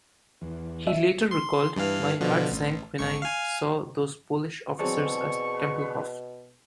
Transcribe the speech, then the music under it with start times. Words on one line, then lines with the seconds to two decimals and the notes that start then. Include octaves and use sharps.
He later recalled, My heart sank when I saw those Polish officers at Tempelhof.
0.41 E2
0.87 E5
1.31 C6
1.76 G2 E3 F5
2.21 B2 D3 F3
2.51 A1
2.98 G#1 C#6 C#7
3.22 F5 G#5
4.79 B2 E3 F#3 C4 G#4 D5 A5 C#6